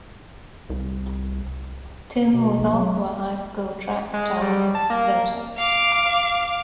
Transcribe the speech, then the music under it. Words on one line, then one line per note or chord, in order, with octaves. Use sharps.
Tim was also a high school track star as a sprinter.
C2
B2
A#1
F#3
G#3
G3
A5
A#3
F5 D6